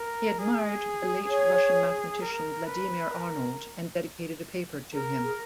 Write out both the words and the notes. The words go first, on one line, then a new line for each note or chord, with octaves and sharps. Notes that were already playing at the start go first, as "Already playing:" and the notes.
He admired the late Russian mathematician Vladimir Arnold and dedicated a paper to him.
Already playing: A#4
G#4
C#5
A#4
B4
A#4
G#4 A#4
G#4